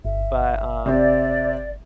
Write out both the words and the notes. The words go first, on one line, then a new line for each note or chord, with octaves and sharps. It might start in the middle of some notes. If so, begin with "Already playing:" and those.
But, um
G1 E5
C3 C4 D5 E5